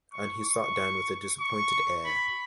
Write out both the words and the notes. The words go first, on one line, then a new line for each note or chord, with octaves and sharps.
And he sat down with a disappointed air.
C#6
C#6
C#6
B5